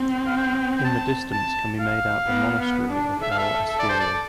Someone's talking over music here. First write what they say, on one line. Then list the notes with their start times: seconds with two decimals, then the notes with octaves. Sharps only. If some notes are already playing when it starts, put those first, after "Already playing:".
In the distance can be made out the monastery of El Escorial.
Already playing: C4
0.26 F5
0.38 G5
0.78 G5
0.85 A5
1.32 A5
1.80 F5
2.26 B3
2.59 B3
2.91 D4
3.22 A4 E5
3.31 F5
3.38 E5
3.69 E5
3.79 D5
3.89 C5
4.00 D5